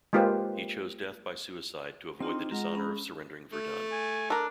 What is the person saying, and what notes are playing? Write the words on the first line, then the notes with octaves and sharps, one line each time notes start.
He chose death by suicide to avoid the dishonor of surrendering Verdun.
G#3 A#3 F4 G4 B4 C5
C4 D4 D#4 F4 C6
G#3 F4 F#5 A#5
C#4 B5
A3
G#5
D4 A4 A#4